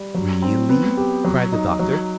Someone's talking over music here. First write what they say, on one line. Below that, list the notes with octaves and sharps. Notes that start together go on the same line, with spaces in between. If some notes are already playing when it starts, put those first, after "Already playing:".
"Really?" cried the Doctor.
Already playing: G3
F#3
C4
B3
G4
F#3
D#4
F#3